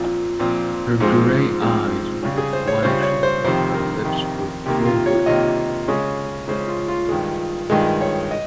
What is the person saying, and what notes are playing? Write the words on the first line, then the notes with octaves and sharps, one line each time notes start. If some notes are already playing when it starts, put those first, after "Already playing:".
Her gray eyes were flashing, and her lips were quivering.
Already playing: A#2 F3 C4 F4
A#2 F3 C4
G#2 F3 G#3 C4
G#2 F3 G#3 C4
C#3 G3 C#4 G4
G#4
C5
C#5
C#3 G3 C#4 C5
C#5
C5
F2 C3 D#3 C5
A#4
F2 C3 D#3
C3 D#3 A#3 G4
F4
C#5
C3 D#3 A#3 D#5
C#3 G#3 C#4
C#3 G#3 C#4 C5
F4
F4
G2 D#3 G#3
G2 D#3 G#3 D#5
C#5
D#5